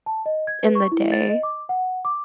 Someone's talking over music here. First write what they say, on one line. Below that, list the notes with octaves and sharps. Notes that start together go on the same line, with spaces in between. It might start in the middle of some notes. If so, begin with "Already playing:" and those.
in the day,
A5
D#5
G#6
B4
C#6
E4
A6
D#5
D6
F#5
D6